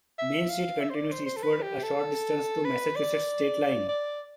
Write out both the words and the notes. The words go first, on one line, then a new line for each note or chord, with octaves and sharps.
Main Street continues eastward a short distance to the Massachusetts state line.
E5
F5
E5
C5
D5
C5
C5
A4
B4
G4
A4
B4
D5
D5